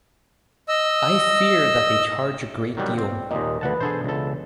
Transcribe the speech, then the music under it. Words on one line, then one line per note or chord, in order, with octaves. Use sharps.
I fear that they charge a great deal.
D#5 E6
D#3 F#3 G3
C4
D#2 A#2 D#5
D2 E3 B4 F#5 A5
B2 D4 G#4 A4 C5
C#2 A4